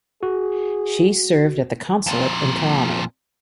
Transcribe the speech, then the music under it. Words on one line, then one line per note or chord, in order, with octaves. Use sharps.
She served at the consulate in Toronto.
F#4 G#4
F2 A#2